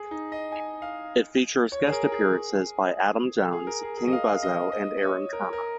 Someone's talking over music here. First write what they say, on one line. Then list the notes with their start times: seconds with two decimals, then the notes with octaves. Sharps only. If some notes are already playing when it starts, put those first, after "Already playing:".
It features guest appearances by Adam Jones, King Buzzo, and Aaron Turner.
Already playing: G#4
0.11 D#4
0.32 D#5
0.52 G#5
0.82 F5
1.72 C#5
1.87 G#4
1.92 A#4
2.12 G#4
3.53 G#4
3.67 A#4
3.83 G#4
3.97 G#4
4.08 D#5
4.13 F5
4.28 F5
4.43 D#5
4.72 D#5
4.97 D#5
5.02 C#5
5.33 A#4
5.53 A#4